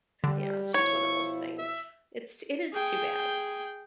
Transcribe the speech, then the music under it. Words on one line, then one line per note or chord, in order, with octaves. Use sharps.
yeah, it's just one of those things. It's it is too bad.
D3 G3
B2 F3 E4 C#5 C#6
E5
G#4 G5